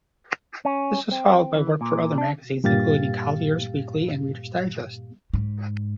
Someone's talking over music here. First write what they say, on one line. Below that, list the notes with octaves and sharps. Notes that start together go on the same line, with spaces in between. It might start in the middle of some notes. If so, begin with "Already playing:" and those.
This was followed by work for other magazines, including "Collier's Weekly" and "Reader's Digest".
C#4
C4
E3
A#2
D4
G2 A#2 G4 F5 A6
G#2